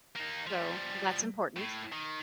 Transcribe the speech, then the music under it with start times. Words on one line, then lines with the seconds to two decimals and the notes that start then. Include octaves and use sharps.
So, that's important.
0.16 A#3 D#4
0.47 F3 G3
1.56 A2
1.92 D#3